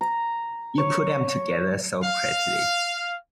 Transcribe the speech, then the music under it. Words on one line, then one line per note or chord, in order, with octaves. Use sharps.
You put 'em together so prettily.
A#5
C#5
F5